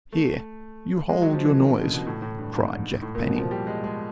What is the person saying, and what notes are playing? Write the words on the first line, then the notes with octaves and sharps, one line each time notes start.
"Here, you hold your noise," cried Jack Penny.
A3
G#3
F#3
F3
E3
D#3
D3
C#3
B2
A2
A2
G2
G#2
A2
A#2
B2
F3
G3
G#3
G#3